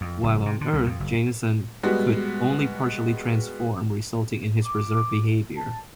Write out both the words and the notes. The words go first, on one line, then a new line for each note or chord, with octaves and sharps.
While on Earth Jameson could only partially transform, resulting in his berserk behavior.
F2
F#1
C3
D3
C2
F2
F#1
G3 G#3 B3 F#4
D6
A5